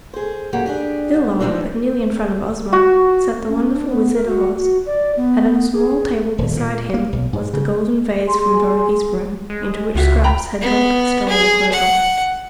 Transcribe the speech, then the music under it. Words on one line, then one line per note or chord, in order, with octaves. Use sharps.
Still lower, but nearly in front of Ozma, sat the wonderful Wizard of Oz and on a small table beside him was the golden vase from Dorothy's room, into which Scraps had dropped the stolen clover.
G#4 C5
F#2 A#3 G4 G#4 F#5
D4 G4 G#4
G#2
E3 F3 A3 C4 D4 D#4
F#4
C#4
D4
B3
A#4
F#4
F#4
D5
B3
G#4
D#1
A#2
A#3
B1
G#2
C#3
G#4 G#5 C6
G#3
C#2 F4 F#4 E5
G5 A#5 B5
B3
G#4
F#5